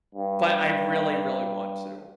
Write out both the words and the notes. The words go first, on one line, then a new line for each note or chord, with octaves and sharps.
But, I really, really want to.
G2